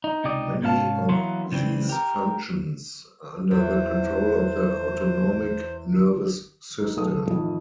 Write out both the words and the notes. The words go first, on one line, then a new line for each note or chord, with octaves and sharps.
Many of these functions are under the control of the autonomic nervous system.
D#4
C#2 C3 D#4 G4 D5 D#5
G#2 C3 C#4 F5 A5
E3 F#3 A#3 B3 C6
C#3 E3 G3 C4
G4 A#4
E2 C5
D#4 B4
B1 A4 D#6
F2 A2 D#3 E3